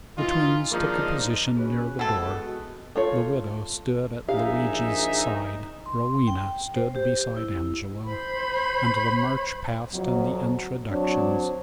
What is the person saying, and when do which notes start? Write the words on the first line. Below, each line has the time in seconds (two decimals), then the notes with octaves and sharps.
The twins took a position near the door, the widow stood at Luigi's side, Rowena stood beside Angelo, and the march-past and the introductions began.
0.18 E3 D#4 F4
0.71 D#3 F3 G#3 A#3 D4 D#4
1.57 C#4 F#4 G#4 B4
1.99 B2 G#3 B3 E4 A4 F#5 G5 A5
2.96 A3 F4 C#5
4.29 A#1 D#4 G4 G#4 E5 F5
5.86 C6
6.27 G5
6.76 C5
6.96 G4
7.37 E4
8.05 C5 B5
9.92 F2 F#3
10.90 F#3 C4 D4 C#5